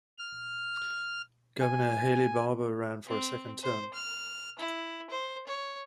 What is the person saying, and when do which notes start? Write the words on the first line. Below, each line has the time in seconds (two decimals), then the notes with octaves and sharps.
Governor Haley Barbour ran for a second term.
0.18 F6
1.61 G#5
3.07 C4
3.62 C5
3.94 F6
4.59 E4
5.10 C5
5.47 C#5